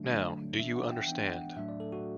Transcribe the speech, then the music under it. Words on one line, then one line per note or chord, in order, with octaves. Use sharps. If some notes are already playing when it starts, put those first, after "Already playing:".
Now, do you understand?
Already playing: D3 F#3 A3 D4
D3 F#3 A3 D4
E3 B3 D4 E5
F#5
G5
E3 B3 D4 G5
F#5
A2 F#3 A3 D4 E5
D5
A4
F#4